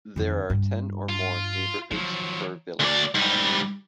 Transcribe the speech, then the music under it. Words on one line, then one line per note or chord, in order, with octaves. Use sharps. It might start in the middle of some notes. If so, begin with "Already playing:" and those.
There are ten or more neighborhoods per village.
F2 D#3
G2
F4
D#3 F3 F#3
D2 D5
G#2 G3